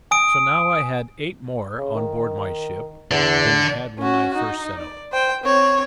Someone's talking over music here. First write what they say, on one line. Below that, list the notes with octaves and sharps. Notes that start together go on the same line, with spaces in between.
So now I had eight more on board my ship, than I had when I first set out.
G#5 D#6 D7
C#3
D#3
E2 D3
C#4 F#4
D#4
D5
C5 G5
C4 C#5